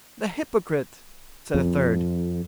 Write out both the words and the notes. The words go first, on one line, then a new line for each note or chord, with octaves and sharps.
"The hypocrite!" said a third.
F2